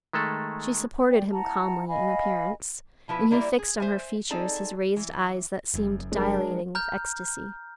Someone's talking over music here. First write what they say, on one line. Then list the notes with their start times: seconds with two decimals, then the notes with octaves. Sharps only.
She supported him calmly, in appearance; and he fixed on her features his raised eyes that seemed dilating with ecstasy.
0.13 D#3 G#3 A3 A4
1.09 D5 G5
1.32 E4 F#5 A5 A#5
1.89 D#5 F5 G#5 B5
3.08 B2 F3 E4 B4
3.31 G3 A#3 E4 A#4 C5 D5
3.59 G#4
3.80 C5 E5 G#5
4.30 C4 D#4 G#4 A4 D5
4.96 E3
5.74 F#1 F#2
6.12 F#3 G#3 D4 A#4
6.75 A#5 F6 G6